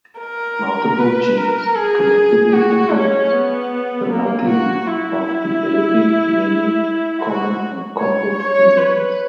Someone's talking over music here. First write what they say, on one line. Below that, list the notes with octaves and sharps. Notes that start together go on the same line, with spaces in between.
Multiple genes collectively influence the likelihood of developing many common and complex diseases.
A#4
B4
A#4
G#4
F#4
C#4
B3
A#3
F#4
E4
F#4
C#5
C#5
B4